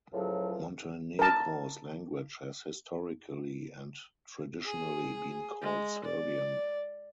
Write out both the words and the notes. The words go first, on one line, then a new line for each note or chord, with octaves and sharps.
Montenegro's language has historically and traditionally been called Serbian.
C#2 A2 C#3 F3 F#3
A#4 A5
G#4
G#3
D5